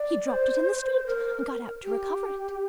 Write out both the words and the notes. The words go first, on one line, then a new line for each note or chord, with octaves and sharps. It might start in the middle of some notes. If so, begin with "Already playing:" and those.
He dropped it in the street, and got out to recover it.
Already playing: D5
C5
A#4
G4